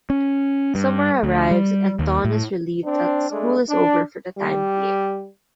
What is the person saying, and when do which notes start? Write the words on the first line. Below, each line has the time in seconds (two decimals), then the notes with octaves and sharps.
Summer arrives and Dawn is relieved that school is over for the time-being.
0.10 C#4
0.75 G2
1.23 D2
1.51 G3
1.99 D#2
2.25 A2
2.84 C4 D4
3.29 G#3 A3 D4
3.68 D4
4.37 G3